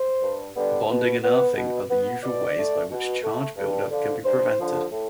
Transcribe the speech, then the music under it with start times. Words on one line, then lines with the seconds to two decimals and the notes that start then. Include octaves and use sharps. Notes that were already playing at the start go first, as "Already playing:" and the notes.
Bonding and earthing are the usual ways by which charge buildup can be prevented.
Already playing: C5
0.22 G2
0.55 D3 G3 B3
0.89 B2
1.22 B3
1.55 B2
1.89 B3
2.22 B2 D5
2.56 A3
2.90 B2
3.23 A3
3.57 G2
3.90 D3 F3
4.23 G2 C5
4.58 D3 F3
4.91 A2